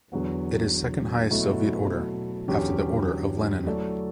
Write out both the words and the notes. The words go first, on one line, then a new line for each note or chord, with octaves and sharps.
It is second highest Soviet order, after the Order of Lenin.
E2 D3 F#3 B3
B2 F#3 A3 E4
E2 D3 F#3 C#4 G4
F#3 A3 E4 A4 D5